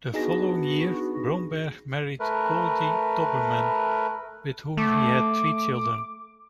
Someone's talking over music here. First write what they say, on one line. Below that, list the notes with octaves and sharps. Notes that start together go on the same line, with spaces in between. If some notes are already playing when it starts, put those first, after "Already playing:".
The following year, Bromberg married Goldie Doberman, with whom he had three children.
B3 D4 D#4 F#4 G#4 A#6
A3 A#4 B4
A3 D6